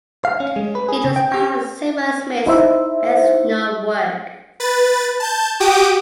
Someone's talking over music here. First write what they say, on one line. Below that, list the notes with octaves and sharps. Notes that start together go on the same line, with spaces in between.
It was perhaps Seymour-Smith's best known work.
F5
C#4
G#3
B4
G#4
C#3
G5
G4
D#4 E4 C5 E5
B4 A6
A5 G6
F#4 G4 G5 D6 D#6